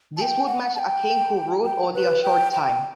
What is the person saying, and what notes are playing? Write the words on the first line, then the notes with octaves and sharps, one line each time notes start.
This would match a king who ruled only a short time.
A5
G5
F#5
A5
G5
G5
B4
G5
G5